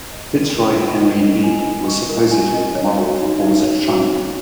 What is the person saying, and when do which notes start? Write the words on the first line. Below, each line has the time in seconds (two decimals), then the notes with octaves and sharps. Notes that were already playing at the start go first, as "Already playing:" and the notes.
Fitzroy Henry Lee was supposedly the model for Hawser Trunnion.
0.12 D#5
0.34 A#4
0.55 F4
0.77 F4
1.00 D#5
1.22 A#4
1.44 G#5
1.66 D#5
1.88 C#6
2.09 A#4
2.31 G#5
2.54 D#5
2.75 C#5
2.98 F#4
3.19 D#4
3.42 D#4
3.63 C#5
3.86 F#4
4.07 C#5